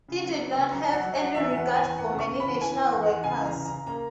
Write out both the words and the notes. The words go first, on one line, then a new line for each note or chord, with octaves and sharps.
He did not have any regard for any national workers.
C#3
F#3
B3
C#3
F#3 A#5
F#3 F#5
F#3
F#5
F#3
E2 E5
E2
F#5
E2
G#5
E2
E2 F#5
C#3
C#6
C#3
B5
E2
E3 G#5
E2
E2
F#5
E2
C#3 G#5
E3
A#5
C#3
A#5
C#3
A#3 A#5